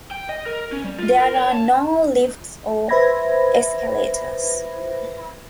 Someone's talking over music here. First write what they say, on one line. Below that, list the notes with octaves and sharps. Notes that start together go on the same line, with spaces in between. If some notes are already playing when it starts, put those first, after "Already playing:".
There are no lifts or escalators.
G5
D#5
A#4
C#4
G3
F4
A#4
C#5
A5
B4 C5 E5 B5 G#6 A#6